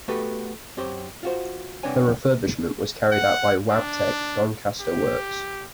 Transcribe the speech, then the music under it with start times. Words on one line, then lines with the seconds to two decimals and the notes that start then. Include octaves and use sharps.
The refurbishment was carried out by Wabtec, Doncaster Works.
0.08 A3 B3 F#4 G4 A4 B4
0.77 F#2 C4 G4 C5 C#5
1.23 F4 F#4 C5
1.83 C2 B3 C4 D4 C#5 G#5
3.11 F#5
3.70 D4
4.80 G4